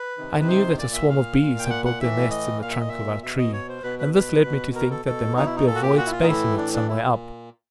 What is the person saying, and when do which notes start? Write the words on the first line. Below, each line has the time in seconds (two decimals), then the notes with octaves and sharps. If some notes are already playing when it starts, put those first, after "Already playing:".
I knew that a swarm of bees had built their nest in the trunk of our tree, and this led me to think that there might be a void space in it some way up.
Already playing: B4
0.17 C3 D#3
0.40 B4
0.48 C5
0.79 A#2 D5
0.94 E5
1.09 F5
1.39 A#2
1.59 G5
1.70 F#5
1.85 F#5
2.00 A2 E3 E5
2.31 D#5
2.62 A#2 F5
2.71 E5
2.80 D#5
2.89 E5
3.22 B2 E5
3.38 D#5
3.53 C#5
3.69 C5
3.83 B2 B4
3.99 B4
4.14 B4
4.44 B2
4.75 A#4
4.91 A4
5.05 B2 A4
5.36 D#4
5.46 E4
5.56 D#4
5.66 A#2 A4
5.75 F#4
5.82 G4
5.97 F#4
6.06 E4
6.12 F4
6.22 D#4
6.27 A2 E3 E4
6.57 D4
6.73 D4
6.88 A#2 E4